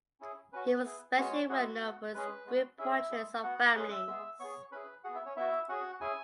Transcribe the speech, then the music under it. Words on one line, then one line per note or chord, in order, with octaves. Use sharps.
He was especially well known for his group portraits of families.
C#4 E4 G#4
C#4 F#4 B4
B3 E4 G#4
G#3 B3 C#4 F#4 C#5
G#3 E4 F#4 G#4 F#5
B3 F#4
G#3 C#4 G#4 B4
G#3 B3 F#4
C#4 E4 G#4 E5
G#3 E4 G#4
B3 F#4 F#5
G#3 C#4 G#4 B4 B5
E5 E6
G#3 B3 G#4 E5 E6
B3 G#4 C#5 C#6
C#4 E4 G#4 B4 B5
B3 F#4 G#4 F#5
E4 E5
C#4 C#5
B3 E4 F#4 E5
C#4 F#4 G#4 F#5
C#4 E4 G#4 G#5